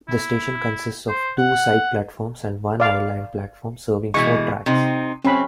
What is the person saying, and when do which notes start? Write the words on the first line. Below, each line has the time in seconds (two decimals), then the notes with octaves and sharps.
The station consists of two side platforms and one island platform serving four tracks.
0.08 E4
1.09 C5
1.38 F#5
2.80 D5 F5
4.14 B2 E3 G#3 C#6
4.66 C3 C4 D#4
5.24 C4 C#4 B5